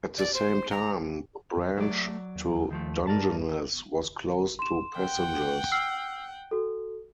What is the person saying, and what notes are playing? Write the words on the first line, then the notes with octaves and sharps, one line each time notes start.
At the same time, the branch to Dungeness was closed to passengers.
D5
C5
A#5
F2
F#3 A3 D5
D#2
D#3 F3 A3
G2 A#4 D5 A5
C6 E7
F#5 G5
E6 F6 C7
F#4 A4